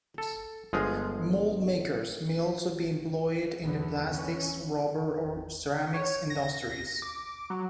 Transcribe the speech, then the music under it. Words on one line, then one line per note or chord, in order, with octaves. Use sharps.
Moldmakers may also be employed in the plastics, rubber or ceramics industries.
A4
G1 F3 G#3 G#4 F5
B1 E2 D3 B3
E3 C#4
C#5
A#6
D6
F#3